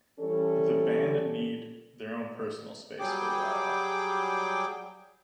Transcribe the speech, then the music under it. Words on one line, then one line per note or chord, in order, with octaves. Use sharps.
The band need their own personal space for a while.
E3 G3 C#4 A4
F#3 G3 G#4 G5 D6